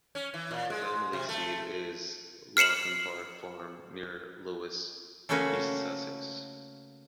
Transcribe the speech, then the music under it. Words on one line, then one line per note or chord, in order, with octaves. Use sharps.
The family seat is Laughton Park Farm, near Lewes, East Sussex.
C#4
E3
A#2
G#3
C3
A3
F6 C7 C#7 E7 F#7
C#3 A3 A#3 C#4 F#4 B4